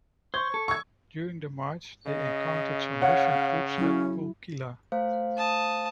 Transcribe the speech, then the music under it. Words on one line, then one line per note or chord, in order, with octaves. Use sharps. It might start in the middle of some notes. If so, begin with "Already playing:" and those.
During the march they encountered some Russian troops at Pulkkila.
C5 C#6 G#6
A4
C#6 E6 G#6
C#3 D#5
C#5 F5 F#5
F#3 C#4 E4
A3 C5 F5
A5 D#6